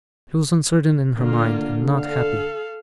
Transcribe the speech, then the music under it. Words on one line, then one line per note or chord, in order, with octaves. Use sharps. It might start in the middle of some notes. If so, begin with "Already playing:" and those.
She was uncertain in her mind, and not happy.
D3 A#3 F4
A4 F5